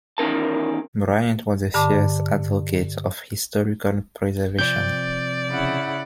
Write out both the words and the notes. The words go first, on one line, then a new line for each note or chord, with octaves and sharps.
Bryant was a fierce advocate of historical preservation.
E2 D#3 C#4 A#4 A5
G2 D3 A5 D6
C3 F3 C4 D5 G6
C#3 E4 F#5